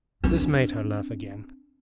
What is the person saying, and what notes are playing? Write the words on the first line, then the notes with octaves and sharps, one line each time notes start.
This made her laugh again.
C4 D4